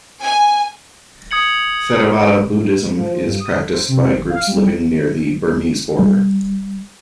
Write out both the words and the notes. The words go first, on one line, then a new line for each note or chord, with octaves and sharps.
Theravada Buddhism is practiced by groups living near the Burmese border.
G#5
D#6 G#6 C#7 F#7
F3
F3
G2
D#6
D3
C5
C3
C4
G#1
F5
G3
G3